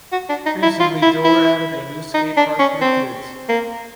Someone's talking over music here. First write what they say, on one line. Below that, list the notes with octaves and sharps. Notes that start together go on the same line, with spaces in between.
Recently Dorr added a new skatepark for the kids.
F#4
D4
D#4
E4
F4
E4
E4
D#4
D4
C#4
C4
A#3